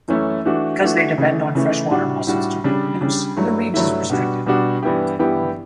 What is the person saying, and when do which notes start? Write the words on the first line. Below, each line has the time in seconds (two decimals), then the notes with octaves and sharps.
Because they depend on freshwater mussels to reproduce, their range is restricted.
0.08 F#2 E3 A3 C#4 E4
0.45 E3 A3 D4 F#4
0.82 E3 A3 D4 F#4
1.18 C#3 E3 A3
1.55 C#3 E3 A3
1.90 A2 G3 D4 F#4
2.27 A2 G3 D4 F#4
2.64 C#3 G3 D4
3.01 C#3 G3 D4
3.36 G2 F#3 A3 E4
3.74 G2 F#3 A3 E4
4.10 B2 G3 D4 F#4
4.46 B2 G3 D4 F#4
4.83 G2 E3 B3 E4 G4
5.19 G2 E3 B3 E4 G4